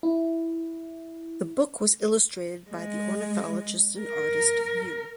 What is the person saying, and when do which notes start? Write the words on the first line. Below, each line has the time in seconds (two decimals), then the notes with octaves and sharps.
The book was illustrated by the ornithologist and artist Yu.
0.03 E4
2.71 G#3
3.99 A#4